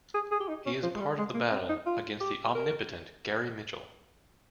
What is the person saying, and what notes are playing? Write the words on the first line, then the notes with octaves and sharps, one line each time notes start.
He is part of the battle against the omnipotent Gary Mitchell.
G#4
G#4
G4
D#4
C#4
F3
G#3
G3
G#3
A#3
C4
D#4
F4
G4
A#4